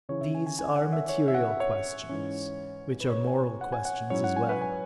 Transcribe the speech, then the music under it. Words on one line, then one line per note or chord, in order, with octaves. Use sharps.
These are material questions, which are moral questions as well.
C#3 E3 C#4 E4 C#5
E5
G#5
G#5
G#5
F#5
E5
C#5
E5
F#5
E5
C#5
G#2 E3 C#4
B4
C#5
G#5
G#5
F#5
G#5
F#5
G#2 F#3 C#4 E4 C#5
F#5
G#5
B4
G#5